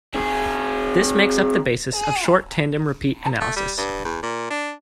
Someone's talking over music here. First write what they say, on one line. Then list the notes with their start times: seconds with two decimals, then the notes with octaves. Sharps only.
This makes up the basis of short tandem repeat analysis.
0.14 C4 G#4
3.41 A3
3.56 G3
3.78 G2
4.05 E2
4.23 A#2
4.50 D4